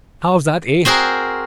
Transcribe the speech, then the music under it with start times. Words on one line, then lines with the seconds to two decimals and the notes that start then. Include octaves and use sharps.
How's that, eh?
0.85 C4 F#4 G#4 A#4